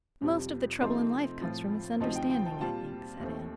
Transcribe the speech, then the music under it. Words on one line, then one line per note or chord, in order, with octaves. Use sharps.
"Most of the trouble in life comes from misunderstanding, I think," said Anne.
F2 C3 G3 C4
C3 F3 A3 C4 D#4 C6
A2 F3 C4 F4
D2 C3 F3 C4 D#4 A5
G5
G5
A5
A#2 G3 C4 F4 A5
D#2 D#3 A3 C4